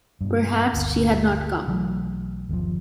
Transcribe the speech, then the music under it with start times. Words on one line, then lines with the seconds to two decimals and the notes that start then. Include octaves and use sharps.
Perhaps she had not come.
0.21 G2 B2
0.73 G1 D2
1.67 B1 E3 F#3 A3
2.49 G1 D#2 A#2 F3